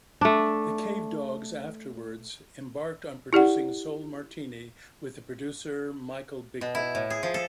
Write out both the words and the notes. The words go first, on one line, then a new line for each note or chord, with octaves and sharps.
The Cavedogs afterwards embarked on producing "Soul Martini" with the producer Michael Bighorn.
A3 D4
E4 G4 D5 F#5
B2
E4
A2
G#4
F3
A4